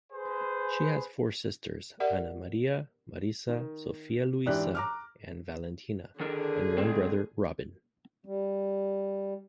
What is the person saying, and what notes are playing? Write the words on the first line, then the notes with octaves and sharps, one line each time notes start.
She has four sisters: Anna Maria, Marisa, Sophia-Luisa, and Valentina; and one brother, Robin.
G#4 B4 C5
G4 A#4 D5 E5 F#5
D#3
G#2 E3 D4 G4 F#6
A#5 D6 F6
D3 D#3 D4 G#4 A#4
G#3 C4
G3